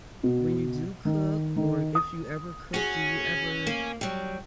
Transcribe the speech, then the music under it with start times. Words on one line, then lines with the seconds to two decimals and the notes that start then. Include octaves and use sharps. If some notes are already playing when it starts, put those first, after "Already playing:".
when you do cook or if you ever cook, do you ever
0.23 B2
1.05 D#3
1.56 D#3
1.95 D#6
2.74 C#4 F#4 G#4
3.67 A#3
4.01 F#3 G3